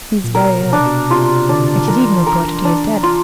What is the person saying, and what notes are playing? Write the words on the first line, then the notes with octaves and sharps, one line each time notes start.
"Is very ill; it is even reported he is dead."
A#2
B2 A#4
C3
D4
B2
C3 F4
D3 D4
E3 A#4
A#4
D4
F4